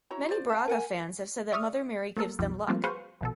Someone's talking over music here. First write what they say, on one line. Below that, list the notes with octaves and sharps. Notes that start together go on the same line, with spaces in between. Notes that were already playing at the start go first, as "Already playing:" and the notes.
Many Braga fans have said that Mother Mary gives them luck.
E4 F#4 C#5 A#5
F4 C5 D5
F5 A5
A#4 F#5 G#5
D5 E5 C#6 D#6 F6
A3 A#3 A4 A#4
B1 F2 F3
F3 G3 A3 A#3 C4 F4
F#4 G#4 B4 C5 F5 C#6
A#1 B2 A4